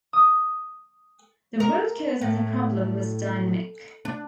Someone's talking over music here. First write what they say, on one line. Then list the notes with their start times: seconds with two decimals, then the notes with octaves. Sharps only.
The root cause of the problem was dynamic.
0.13 D#6
1.60 A#4
2.21 A2
4.05 D4